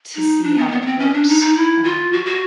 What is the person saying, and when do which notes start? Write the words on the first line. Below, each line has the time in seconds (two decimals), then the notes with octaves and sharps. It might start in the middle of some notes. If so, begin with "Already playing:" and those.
to see how it works, um
0.15 D#4
0.43 D4
0.58 B3
0.67 A#3
0.71 B3
0.82 B3
0.86 C4
0.99 C#4
1.14 D4
1.28 D#4
1.41 D#4
1.56 E4
1.84 F4
2.13 F#4
2.26 F#4